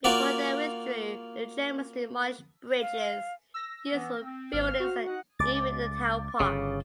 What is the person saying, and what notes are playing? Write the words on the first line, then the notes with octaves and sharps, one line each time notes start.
Before they withdrew, the Germans demolished bridges, useful buildings, and even the town park.
A#3 F4 F#4 D5
F5
E6 A#6
E3 B3
C4
G#1 C5 F5 F6
F#4
D#4 D#5 F#5
C#2 D6 A6
G1 C#3